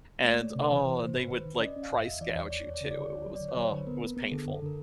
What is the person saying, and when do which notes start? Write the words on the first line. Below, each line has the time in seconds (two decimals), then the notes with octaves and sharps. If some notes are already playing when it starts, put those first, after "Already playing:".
and, oh, and they would price gouge you too. It was oh, it was painful.
0.20 D5
0.24 A3 C#5
0.40 A3
0.56 C3
0.63 B4
0.70 E3 C5
0.85 E3
0.93 C5
1.00 C3
1.09 C5
1.15 G#2 B4
1.31 D#3 B4
1.46 D#3
1.56 D5
1.60 C#4 D#5
1.76 C#4
1.83 F5
1.91 G#2
2.00 D#5
2.06 E2 E5
2.21 E3 D5
2.35 E2 C#5
2.51 E2 D5
2.67 E2 C#5
2.74 D5
2.81 C#3
2.91 D5
2.96 D3 C#5
3.11 D2
3.26 F#3
3.35 D5
3.41 D3
3.49 C#5
3.56 F#3 C5
3.71 D3 B4
3.87 B3 A#4
4.01 B3
4.17 B3
4.22 G#4
4.32 D3 A4
4.46 F#2
4.54 A4
4.62 D3 A#4